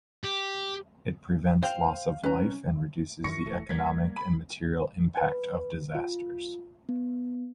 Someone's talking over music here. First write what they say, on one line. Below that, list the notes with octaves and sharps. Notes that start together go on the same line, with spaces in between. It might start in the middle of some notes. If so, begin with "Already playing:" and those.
It prevents loss of life and reduces the economic and material impact of disasters.
G4
C5 F5 G5 F7
C2 C#4 B4 A#5
F#2 D#3 E3 C#6 A#6 C#7
E1 E3 A3
G3 A#3 G#6 B6
B5
B4
F4
B3